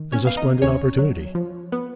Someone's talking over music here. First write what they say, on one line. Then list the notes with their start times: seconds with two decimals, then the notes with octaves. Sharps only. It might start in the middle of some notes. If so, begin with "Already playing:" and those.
There's a splendid opportunity.
Already playing: D#3
0.12 C#4 C#5
0.25 B3 F5
0.37 D#4 D#5
0.62 D#2 C#4 C#5
0.98 F#3
1.35 F3
1.72 B3